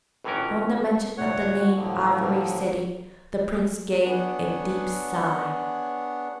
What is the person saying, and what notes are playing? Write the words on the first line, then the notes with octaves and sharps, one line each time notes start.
On the mention of the name Ivory City the prince gave a deep sigh.
G1 A2 E3 F#3 C#4 A#4
D2 A#2 C#5 F#5
A2 D3 F3 F#3 A#3
B3 D4 G#4 C#5 F#5